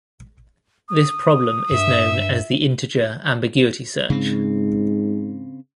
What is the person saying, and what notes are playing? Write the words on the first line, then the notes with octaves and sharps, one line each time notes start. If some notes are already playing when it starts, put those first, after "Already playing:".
This problem is known as the integer ambiguity search.
D#6
G2 E5
G#2 C#3 C4